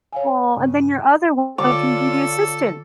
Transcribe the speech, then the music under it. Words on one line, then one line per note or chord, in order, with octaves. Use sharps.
Aw, and then your other one can be the assistant.
C#5 F5 G#5
G2 C#3
D3 F4 A4 C#5 D5 D6